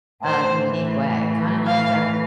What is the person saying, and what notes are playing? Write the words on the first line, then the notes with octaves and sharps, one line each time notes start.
uh, unique way, kinda like,
A2 E3 C5
F5